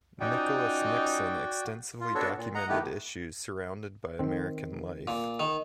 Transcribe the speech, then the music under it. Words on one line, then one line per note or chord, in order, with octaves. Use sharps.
Nicholas Nixon extensively documented issues surrounded by American life.
F3 C#4 D#4 F#4 D5 G5
F4
B3 D4 F#4 A4 C#5
A#2
D#5 F#5 A#5
D#3 A3 B3 E4 G4 B4
D#3 C4
A#2
D#3